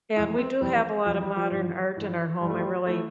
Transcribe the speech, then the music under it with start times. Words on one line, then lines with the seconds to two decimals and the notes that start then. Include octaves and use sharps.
And we do have a lotta modern art in our home. I really
0.17 F2 E3 E4
0.39 C4
0.61 F2 E3 G3
1.06 F2 E3 F3
1.22 G3
1.37 F3
1.51 G2 E3
1.97 G2 E3
2.41 G2 E3 G3
2.50 A3
2.59 G3
2.86 E3 A3